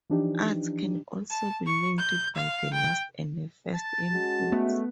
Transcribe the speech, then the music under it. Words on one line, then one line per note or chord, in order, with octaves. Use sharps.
Arts can also be linked by the last and first inputs.
E3 F3 D4 D#4 G4
A5
C#6
G6
F5
G5
A5 A6
G#3 C#4 F#4
A3 B3